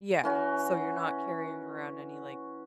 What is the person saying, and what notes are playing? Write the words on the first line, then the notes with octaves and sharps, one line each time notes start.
yeah, so you're not carrying around any, like,
E3 C#4 F#4